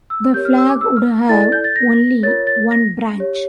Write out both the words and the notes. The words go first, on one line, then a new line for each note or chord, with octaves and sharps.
The flag would have only one branch.
E6
G4 A#4 C#5 G6
F6
E6
D6
E6
F6
E4 A4 D5 A6
A6
G6
A6
A#6
F4 A#4 C#5 A6
A6
A#6
G4 C#5